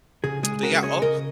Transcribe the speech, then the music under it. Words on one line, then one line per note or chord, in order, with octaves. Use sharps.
But, yeah, oh
C#3 G#4
G#3 G#4
C#4 F#4 A#4
C#3 G#4 C#5
C#3 A#4 D#5